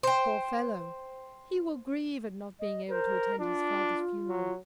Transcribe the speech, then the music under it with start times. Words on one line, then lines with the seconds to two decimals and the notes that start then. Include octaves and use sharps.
Poor fellow! he will grieve at not being able to attend his father's funeral.
0.03 C5 G5
2.60 D#5
2.89 A#4 C5
3.39 D4 F4
4.29 F#3